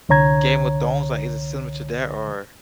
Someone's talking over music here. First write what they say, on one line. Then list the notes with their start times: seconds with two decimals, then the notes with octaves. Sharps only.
Game of Thrones, like, is it similar to that? or
0.09 C2 D3 C#5 A#5 G#6